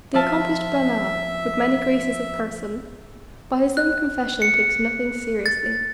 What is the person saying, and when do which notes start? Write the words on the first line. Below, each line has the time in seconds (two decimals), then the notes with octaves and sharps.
The accomplished Bernard, with many graces of person, by his own confession, takes nothing seriously.
0.14 F3 F4 E5 A5
3.77 F#6
4.42 C#7
5.46 A6